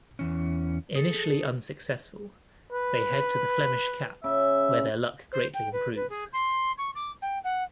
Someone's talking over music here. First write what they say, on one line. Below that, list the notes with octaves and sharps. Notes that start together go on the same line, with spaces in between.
Initially unsuccessful, they head to the Flemish Cap, where their luck greatly improves.
E2 E3 C#4
G#4 A4
B4
C#3 E5
C5
G5
B4
B4
G#4
C6
C#6
D6
G5
F#5